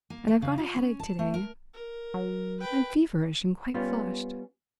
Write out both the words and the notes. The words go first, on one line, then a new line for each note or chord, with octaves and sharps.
And I've got a headache to-day; I'm feverish and quite flushed...
A#3
A3
C#3
F4
C#4
A5
A3
A#4
A#4
F#3
B4 G5
G3 B3 C#4 F4